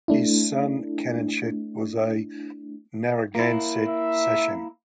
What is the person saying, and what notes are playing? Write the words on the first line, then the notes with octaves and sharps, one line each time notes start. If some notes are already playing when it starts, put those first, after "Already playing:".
His son Canonchet was a Narragansett sachem.
A3 D4 E4
A#3 E4
E5